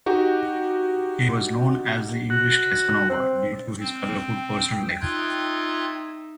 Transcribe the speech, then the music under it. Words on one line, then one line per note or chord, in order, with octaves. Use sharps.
He was known as the English Casanova, due to his colourful personal life.
D#4 F#4 G4
F#4
C4
C4 G5
D#4 F4 E5 F#6 G#6